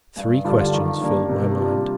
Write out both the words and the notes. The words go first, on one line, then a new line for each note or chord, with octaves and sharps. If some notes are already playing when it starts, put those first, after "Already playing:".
Three questions filled my mind.
G2
D3 G3 D4 F4
D#3
G3 A#3 D4
C3
G3 D4 F4